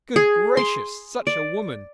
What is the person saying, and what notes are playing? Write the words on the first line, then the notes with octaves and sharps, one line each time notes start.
Good gracious, such a woman!'
G#4
C6
D5